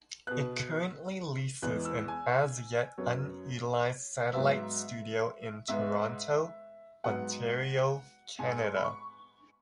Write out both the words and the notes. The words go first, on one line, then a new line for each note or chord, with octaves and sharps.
It currently leases an as-yet unutilized satellite studio in Toronto, Ontario, Canada.
B2 B3 F#6
E2 E3 G#3 B3 F#6
E6
G#5
F#2 F#3 B3 C#5
G#2 F#3 B3 E5
G#2 G#3 B3 E5
G#2 F#3 B3 F#5
G#2 G#3 B3 G#5
B5
C#6